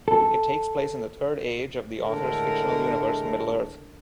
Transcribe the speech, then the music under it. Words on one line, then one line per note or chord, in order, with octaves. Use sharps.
It takes place in the Third Age of the author's fictional universe, Middle-earth.
A4
A2 D3 G#3 A4 A#4